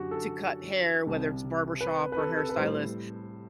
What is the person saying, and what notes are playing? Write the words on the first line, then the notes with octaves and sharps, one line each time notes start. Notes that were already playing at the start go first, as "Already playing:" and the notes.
to cut hair, whether it's barbershop or hairstylist
Already playing: F#2 D3 F#3 F#4 G4
A4
C2 C3 G3
B4
B4
A4
A4
B4
A2 G3 C5